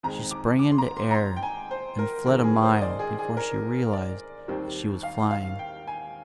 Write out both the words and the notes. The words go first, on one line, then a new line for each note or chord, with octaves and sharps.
She sprang into air, and fled a mile before she realized that she was flying.
F2 D#3 G#3 A#5
D6
D6
C6
A#5
C6
A#5
C6
G5
G#5
C5
A#4
G#2 D#3 G#3 C4 A#4
G#4
C5
D#5
D5
G#4
G#4
A#4
D5
D#2 D#3 G3 C4
F5
F5
G5
G#5